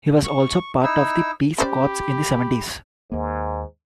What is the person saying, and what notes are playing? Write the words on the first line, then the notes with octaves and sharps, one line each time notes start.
He was also part of the Peace Corps in the seventies.
C#6
D#4 E4 E6
C#4 G4 C5 D5 B5
D#2 G#2 A#3